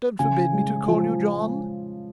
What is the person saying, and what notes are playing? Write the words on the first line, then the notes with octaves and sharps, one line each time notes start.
Don't forbid me to call you John.
C#3 G#5
G#3
F3